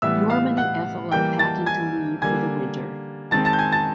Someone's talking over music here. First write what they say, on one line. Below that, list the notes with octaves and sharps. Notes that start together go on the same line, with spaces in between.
Norman and Ethel are packing to leave for the winter.
A2 E3 G3 B3 E5 E6
F5 F6
F#5 F#6
E3 G3 A#3 G5 G6
A5 A6
G#5 G#6
D3 G3 A#3 G#5 G#6
D#3 G#3 C4 A5 A6
A5 A6
G6
G#5 G#6
A5 A6